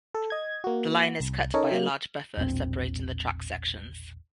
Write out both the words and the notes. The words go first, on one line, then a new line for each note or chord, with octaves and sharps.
The line is cut by a large buffer separating the track sections.
A4
D#5 G#6
A#3 F#4
C2
C#4 D#4 A4 A#4 C#5 D#5
F#3 A#3
E1 A#1 A2 C4